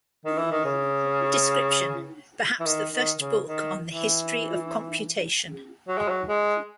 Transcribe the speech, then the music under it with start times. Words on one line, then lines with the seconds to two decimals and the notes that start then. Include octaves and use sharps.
Description: Perhaps the first book on the history of computation.
0.25 D#3
0.38 E3
0.51 D#3
0.65 C#3
2.60 E3
2.66 D#3
2.92 D#3
3.19 C#3
3.46 D#3
3.87 E3
5.88 F#3
5.98 G#3
6.08 F#3
6.28 G#3